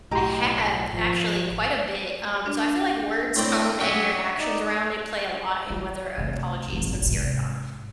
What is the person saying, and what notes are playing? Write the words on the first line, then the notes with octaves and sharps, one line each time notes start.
I have, actually quite a bit, um, so I feel like words, tone, and your actions around it play a lot in whether an apology is sincere or not.
B1 A2 G4 D#5 A#5
G#1 F3
D4
A2 C4 D5
F#3 C#4 G4 E5 F#5
D#4 D5
F4
D2 C3
G#1 F#2
G#2 C3